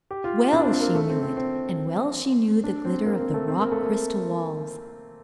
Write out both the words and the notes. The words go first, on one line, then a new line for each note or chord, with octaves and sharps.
Well she knew it, and well she knew the glitter of the rock-crystal walls.
G4
F4
D4
C4
A#3
A3
C4
C4
C4
D4
C4
A#3
C4
A3
C4
A#3
A3
A#3